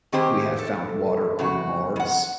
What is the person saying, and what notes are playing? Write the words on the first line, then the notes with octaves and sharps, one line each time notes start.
we have found water on Mars.
D#3 C4 G4 G#4 C5
A4
E2 C#3 F#4
F2 F#5